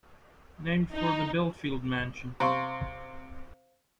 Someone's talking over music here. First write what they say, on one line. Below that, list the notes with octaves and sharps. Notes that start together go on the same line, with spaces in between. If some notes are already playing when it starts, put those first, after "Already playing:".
Named for the Belfield Mansion.
D#4
C3 C5 F5 A#5 C6 C#6